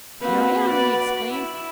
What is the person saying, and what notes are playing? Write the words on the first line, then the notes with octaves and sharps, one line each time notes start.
'Here I am!' he exclaimed.
A#3 C4 F#4 B4
D5
E4